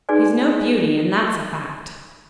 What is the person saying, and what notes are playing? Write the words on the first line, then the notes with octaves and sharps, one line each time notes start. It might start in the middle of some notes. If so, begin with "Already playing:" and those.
"He's no beauty, and that's a fact."
D#4 F#4 G#4 B4 D5 G#5